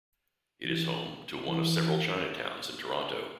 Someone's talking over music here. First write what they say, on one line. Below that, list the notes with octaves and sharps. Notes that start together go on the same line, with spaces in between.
It is home to one of several Chinatowns in Toronto.
E3
E3